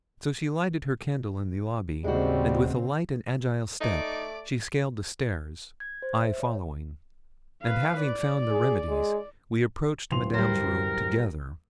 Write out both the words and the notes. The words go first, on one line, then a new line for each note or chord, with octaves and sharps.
So she lighted her candle in the lobby, and with a light and agile step she scaled the stairs, I following; and having found the remedies, we approached Madame's room together.
D#2 A2 C#3 G3 G#3 C4 D#4 F#4
A3 D#4 D5 D6
G#6
C5
E5
C#5
B4 F5
D5
G#4
G#3
D1 C6 F7
G3 A#4 C5